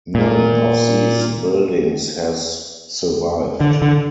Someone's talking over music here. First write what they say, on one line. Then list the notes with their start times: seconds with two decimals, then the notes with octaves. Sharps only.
None of these buildings has survived.
0.15 A#2
3.61 D3
3.82 D3